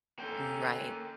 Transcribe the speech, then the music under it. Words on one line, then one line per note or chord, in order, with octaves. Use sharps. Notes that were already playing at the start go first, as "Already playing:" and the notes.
Mm right.
A#3 C#4 A4 G5